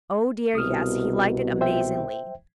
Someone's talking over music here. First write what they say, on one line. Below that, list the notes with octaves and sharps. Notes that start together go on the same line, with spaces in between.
Oh, dear, yes, he liked it amazingly!
C2 B2 D#6 F6
C5 E5 G5